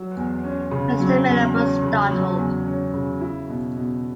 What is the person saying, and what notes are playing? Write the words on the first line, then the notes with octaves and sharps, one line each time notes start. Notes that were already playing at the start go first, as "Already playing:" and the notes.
Mr. Miller was startled.
Already playing: F#3
E2
C#4
C#3
F#3
E2
C#4
C#3
F#3
E2
C#4
C#3
E4
B2
B2